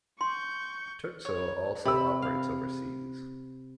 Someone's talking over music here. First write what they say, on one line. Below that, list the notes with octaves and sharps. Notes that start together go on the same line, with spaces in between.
Turkcell also operates overseas.
C6 C#6 G6
C#5
C3 B5 E6
F5